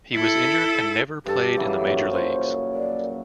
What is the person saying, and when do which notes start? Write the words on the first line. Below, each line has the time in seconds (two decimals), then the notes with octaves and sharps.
He was injured and never played in the Major Leagues.
0.14 E4 A4
1.26 G2 G4 A4
1.57 C#3 E3 F#3
1.81 F#2 A#2
2.12 C5
2.72 D5